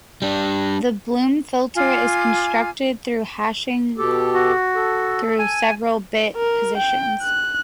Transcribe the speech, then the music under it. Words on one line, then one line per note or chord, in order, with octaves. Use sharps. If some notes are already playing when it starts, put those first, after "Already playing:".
The bloom filter is constructed through hashing through several bit positions.
G3 D4
F4 G#5 D6
B2 G4 A4
F#4
A4
G#5
A#4
G5
F#6